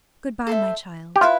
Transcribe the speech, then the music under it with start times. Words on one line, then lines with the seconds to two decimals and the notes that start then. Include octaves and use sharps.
"Good-bye, my child."
0.47 A4 C5 E5
1.16 G4
1.21 E4 F4 B4